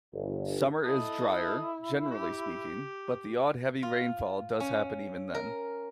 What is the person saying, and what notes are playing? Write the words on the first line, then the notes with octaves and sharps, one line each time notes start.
Summer is drier, generally speaking, but the odd heavy rainfall does happen even then.
G1
E4 A4 D#5 D#6
G4
F4
C#4
A#4